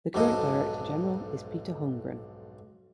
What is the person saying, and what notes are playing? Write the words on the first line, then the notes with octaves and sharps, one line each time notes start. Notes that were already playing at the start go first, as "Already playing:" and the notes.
The current Director General is Peter Holmgren.
B1 F2 G#2 D4 A4 D#5